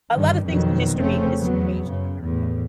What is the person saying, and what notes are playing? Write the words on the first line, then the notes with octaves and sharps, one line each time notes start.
a lotta things in history has changed in America,
G2 D3 D#3
F2 B2 D#3 F#3
F1 C#3 A3 C4 C#4
E2 F#3 B3
F#2 C#3
E2 A2